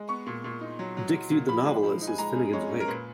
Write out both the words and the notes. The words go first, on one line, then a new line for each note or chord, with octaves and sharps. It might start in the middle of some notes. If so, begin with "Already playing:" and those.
Dick viewed the novel as his "Finnegans Wake".
Already playing: G#3
B3 C#6
A#2
A#2
D#4
F#3
F#3
F#3
A#2
F3 B5
G#3
F3
D#4
G#5
G#3 A#5
F#2
G#3 C#5
F#2
A#4
A#2 B4